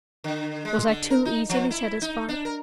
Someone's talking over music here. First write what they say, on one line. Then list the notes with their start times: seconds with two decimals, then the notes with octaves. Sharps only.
Was I too easily satisfied?
0.24 D3
0.65 G#3
0.88 D3
1.10 A#4
1.25 D#4
1.49 F3
1.70 E4
2.02 D#4
2.29 D4
2.45 A#4